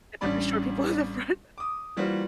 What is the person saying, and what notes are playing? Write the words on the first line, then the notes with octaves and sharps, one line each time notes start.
They put the short people in the front.
A1 G3 C#4 D4 D5 B5
D6 D#6
E3 G3 A#3 F4 F#4 C5